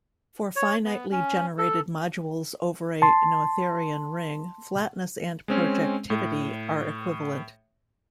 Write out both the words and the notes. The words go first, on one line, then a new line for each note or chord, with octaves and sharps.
For finitely generated modules over a Noetherian ring, flatness and projectivity are equivalent.
C#5
B3
C#4
A4
A5 C6
G#3 C4 C#4
A2